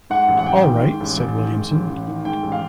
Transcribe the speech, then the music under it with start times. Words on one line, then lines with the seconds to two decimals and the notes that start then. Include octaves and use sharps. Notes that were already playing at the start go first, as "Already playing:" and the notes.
"All right," said Williamson.
0.10 G#2 F#5
0.28 A1
0.39 F#5
0.46 A1 G5
0.64 D#3
0.82 G#2
1.00 A1
1.18 A1
1.36 D#3
1.54 G#2
1.71 A1
1.89 A1
2.07 D#3
2.25 G#2 G5
2.43 A1
2.52 F5